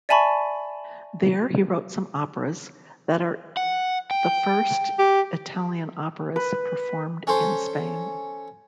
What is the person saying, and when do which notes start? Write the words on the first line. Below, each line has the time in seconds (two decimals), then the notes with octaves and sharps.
There, he wrote some operas that are the first Italian operas performed in Spain.
0.09 D5 E5 G#5 A5 B5 C#6
3.57 F#5
4.11 G5
4.99 G4
6.36 B4
7.27 C#4 A4 C5